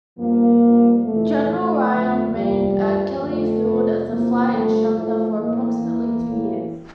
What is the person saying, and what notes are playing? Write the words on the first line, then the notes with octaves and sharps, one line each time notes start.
General Ryan remained at Kelly Field as a flight instructor for approximately two years.
G2 F3 A#3
G2 F3
F2 C3 E3 A3
A2 F3 A3
F2 D3 F3
E2 C3 F3 G3
G2 F3
F2 D3 F3 A3
F2 C3 F3
E2 C3 F3 A#3
G2 D3 F3 A3
A2 F3 A3
A2 E3 A#3
E2 E3
A2 E3